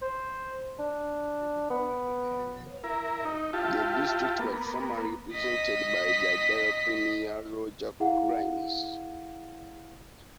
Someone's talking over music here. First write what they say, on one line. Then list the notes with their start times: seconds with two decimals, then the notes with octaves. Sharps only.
The district was formerly represented by Liberal Premier Roger Grimes.
0.02 C5
0.79 D4
1.70 B3
2.84 E4 A#4
3.25 D#4
3.53 E4 F4 G4 A5
4.39 A#3 B3
5.33 D#5 B6
8.00 E4 G#4 F5 F#5